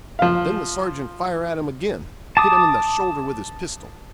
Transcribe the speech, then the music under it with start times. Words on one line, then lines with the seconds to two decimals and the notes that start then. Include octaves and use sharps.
Then the sergeant fire at him again; hit him in the shoulder with his pistol.
0.19 F3 F5
2.37 A5 D6 D#6